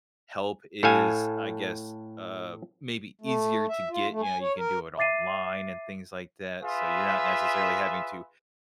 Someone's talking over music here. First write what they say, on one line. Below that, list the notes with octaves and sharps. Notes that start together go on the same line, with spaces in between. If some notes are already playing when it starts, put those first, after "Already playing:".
help is, I guess, uh, maybe easier to get. You know, you can do it online and things like that, so you're not necessarily having to
A2 A4 F5 G#5
A3
E5
F4
A3
G#5
C#5
A#4
E5 D6 A6 C7 D#7
F4 G#4 B4 E5